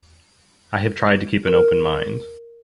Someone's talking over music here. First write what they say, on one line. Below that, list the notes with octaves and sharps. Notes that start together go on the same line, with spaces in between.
I have tried to keep an open mind.
A#4